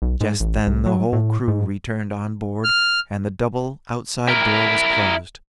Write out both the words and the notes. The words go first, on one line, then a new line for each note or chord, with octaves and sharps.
Just then the whole crew returned on board, and the double outside door was closed.
B1
G#2
A1
C2
F#3
A2
G#2
F6
E4 A#4